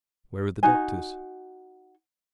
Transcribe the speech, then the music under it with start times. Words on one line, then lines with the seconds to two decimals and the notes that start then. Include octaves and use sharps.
Where were the doctors?
0.63 D#4 F#4 G#5